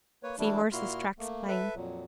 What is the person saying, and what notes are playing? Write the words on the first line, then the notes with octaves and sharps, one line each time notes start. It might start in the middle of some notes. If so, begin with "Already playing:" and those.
See horse's tracks plain.
A#3 B4 C#5
E3 G3 A3 D4 E4
A#2 A#3 E4 F#4 C6 F6
A3 A#3
A4 B4 E5
F2 A#2 F#3